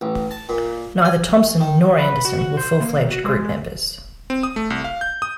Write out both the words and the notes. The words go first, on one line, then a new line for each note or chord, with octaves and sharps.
Neither Thompson nor Anderson were full-fledged group members.
A1
A5
A#2
G#5
D#3
B4
F#4
F#4
C5
A#3
D#3
F#4
G#3
C4
D#6
A3
C2
F5
G6
D#6